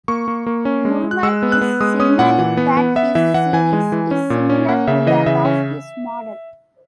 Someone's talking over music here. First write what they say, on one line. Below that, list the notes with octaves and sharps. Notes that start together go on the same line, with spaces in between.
Bulmer is signalling that his series is similar to that of his model.
A#3 C#6
A#3
A#3
C#4
G#3
G#3
F#6
G#3 E6
B3
F#6
B3
G#3 D#6
C#4 D#6
A#2 F#5
E3
B3
B3
B3 E5
E3 E5
E3 F#5
E3 G#5
G#3
E3
C#4
A#2
C#4
A#3 F#5
C#3 E5
E3 D#5
C#3 E5
C#4